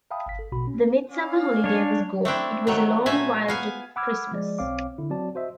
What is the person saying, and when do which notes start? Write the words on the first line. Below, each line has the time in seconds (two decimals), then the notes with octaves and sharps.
The midsummer holiday was gone; it was a long while to Christmas.
0.11 E5 F5 G5 A5 B5 D#6
0.26 G1 F5 B6
0.39 A4
0.52 A#1 B2 F#4 B5
0.67 C#4
1.11 C#4 D5 F5
1.64 D4 C#5
2.25 A3 C4 D4 E4
2.67 D#3 F#3 A3
3.06 A#2 A3 E5 G#5
3.48 B3 F5 G#5
3.96 F#5 B5 D6 E6 F6 G#6
4.32 F3 G#3 D5
4.58 B1 C4 C#5 F5 D6
4.98 D3 E4
5.10 F#3 C4 F#4 D5 A5
5.35 F#4 C5 D#5 E5